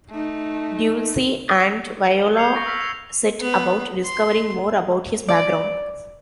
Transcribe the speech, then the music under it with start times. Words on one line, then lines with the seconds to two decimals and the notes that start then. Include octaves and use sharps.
Dulcie and Viola set about discovering more about his background.
0.10 A3 D#4
2.22 G7
2.35 G6 G#6 C7 C#7 F7
2.54 C#6 A#6 C#7
2.66 E6 F6 B6
2.81 F7
3.40 B3
4.05 C6
5.29 D5